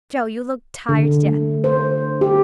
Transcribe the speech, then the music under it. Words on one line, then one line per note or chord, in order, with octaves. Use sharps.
Jo, you look tired to death.
D3
A3
C5
G4